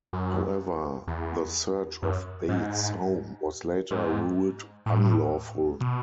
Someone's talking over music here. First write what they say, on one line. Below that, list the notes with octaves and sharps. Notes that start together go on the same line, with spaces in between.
However, the search of Bates' home was later ruled unlawful.
F#2
E2
F#2
G#2
G#2
A2
B2